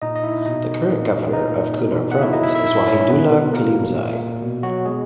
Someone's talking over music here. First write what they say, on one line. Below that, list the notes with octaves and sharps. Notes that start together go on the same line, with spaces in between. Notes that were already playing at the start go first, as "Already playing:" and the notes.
The current governor of Kunar province is Wahidullah Kalimzai.
A#2 D#4 D#5
D#5
E4 E5
B2 D#4 D#5
A#2
A#2 D#4 D#5
B2
F#5
B2 E4 E5
D#4 D#5
E4 E5
E4 E5
A#2 E4 E5
C#4 C#5
B2 B3 B4
B2 A#3 A#4
A#2
B2
F#3 F#4
B2 G#3 G#4